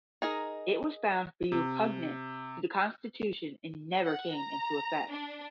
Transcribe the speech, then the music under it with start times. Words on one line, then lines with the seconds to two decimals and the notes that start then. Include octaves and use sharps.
It was found to be repugnant to the Constitution and never came into effect.
0.22 D#4 G#4 A#4
1.52 C3
4.05 F#5
4.38 A#5
5.12 D4